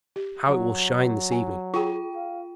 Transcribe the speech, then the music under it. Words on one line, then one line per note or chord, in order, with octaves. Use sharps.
"How it will shine this evening!"
G4
F#3
G#5
F4 G#4 G5 C#6
F5